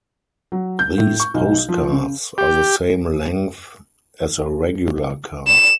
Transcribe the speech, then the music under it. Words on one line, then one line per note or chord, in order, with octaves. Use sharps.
These postcards are the same length as a regular card.
F#3
G6
A2
C#6
B1
F3
C#3
G4
E7